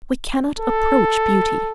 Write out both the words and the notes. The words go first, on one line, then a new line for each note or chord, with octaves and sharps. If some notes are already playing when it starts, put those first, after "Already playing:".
We cannot approach beauty.
A4